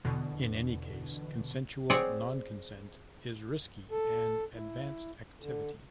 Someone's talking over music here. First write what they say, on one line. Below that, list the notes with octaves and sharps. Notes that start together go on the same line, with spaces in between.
In any case "consensual nonconsent" is risky and advanced activity.
E2 B2 D3
C4 G#4 C#5 D5 F#5
A4
E4
D3